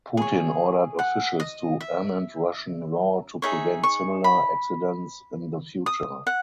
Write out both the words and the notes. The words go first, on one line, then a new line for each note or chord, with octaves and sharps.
Putin ordered officials to amend Russian law to prevent similar accidents in the future.
G#4 C#5
F#5
D#5
E5
D#4 G#4 C#5 E5
C#6
B5
D#6
F#5